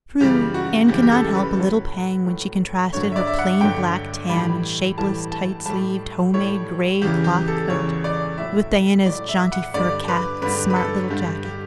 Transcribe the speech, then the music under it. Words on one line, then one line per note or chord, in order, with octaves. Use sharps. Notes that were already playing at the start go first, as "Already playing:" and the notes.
True, Anne could not help a little pang when she contrasted her plain black tam and shapeless, tight-sleeved, homemade gray-cloth coat with Diana's jaunty fur cap and smart little jacket.
F#2 C#3 E3 G3 G4
F#4
F#2 C#3 E3 G3 G4
G4
A4
B4
A2 F#3
A2 F#3
G2 D3 F#3 C#5
E5
D5
E5
F#5
G2 D3 F#3 G5
A2 E3 G3 B5
A2 E3 G3 A5
A5
A2 G3 A5
A2 G3 C#5
E2 C#3 E3 G4
G4
A4
E2 C#3 E3 C#5
D5
A2 E5
F#3
A2 F#3 D5
E5
F#5
G2 D3 G3 D5
B4
G2 D3 G3 B4
B4
A4
G2 D3 G3 G4
G4